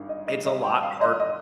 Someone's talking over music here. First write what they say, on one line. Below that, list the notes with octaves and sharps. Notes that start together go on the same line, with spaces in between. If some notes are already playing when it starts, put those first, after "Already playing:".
it's a lot harder
Already playing: G#1 G2
D#5
D#5
D#5
G5
F5
D#5
D#5